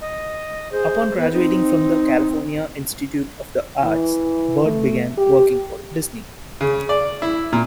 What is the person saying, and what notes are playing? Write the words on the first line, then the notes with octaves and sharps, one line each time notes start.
Upon graduating from the California Institute of the Arts, Bird began working for Disney.
D#5
G#4 C5
B3 B4
C4 D#4
E3
A3
G4
C#3
D5
E4
A#2